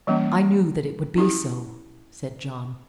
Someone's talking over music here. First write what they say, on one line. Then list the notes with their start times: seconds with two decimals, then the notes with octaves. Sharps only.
"I knew that it would be so," said John.
0.07 E3 G3 A#3 C#4
1.16 C#4 E4 G4